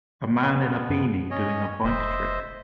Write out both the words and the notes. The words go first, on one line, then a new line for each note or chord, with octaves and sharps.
A man in a beanie doing a bike trick.
F2 B3
G2
C#4 C#5 D#5
F1 C5 D#5 E5